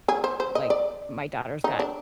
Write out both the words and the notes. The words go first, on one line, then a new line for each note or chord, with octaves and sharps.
Like, my daughter's got
G#4
C5
C5
D#5
D5
D#4
D4